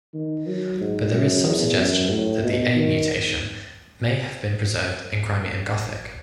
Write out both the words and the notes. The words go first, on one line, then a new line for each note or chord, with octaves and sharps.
But there is some suggestion that "a"-mutation may have been preserved in Crimean Gothic.
D#3
F#3
G#2
F#2
E2
F#2
A2
B2
D#3